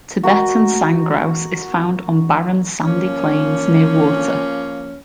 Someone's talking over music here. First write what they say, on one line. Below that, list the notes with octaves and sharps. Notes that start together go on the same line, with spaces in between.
Tibetan sandgrouse is found on barren sandy plains near water.
F#4 A#4 D#5
F3 A#3 C#4